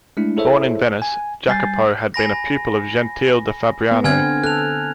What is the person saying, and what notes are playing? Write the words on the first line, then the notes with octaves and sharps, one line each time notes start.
Born in Venice, Jacopo had been a pupil of Gentile da Fabriano.
G#3 A3 D4 E4
E4 G#4 A4 C5 C#5 E5
G#5
G3 G#5 G6 A6 C7
G#5 B5 A#6
B3
D3 C4 G#5 F6 G#6
A4 F#6 F7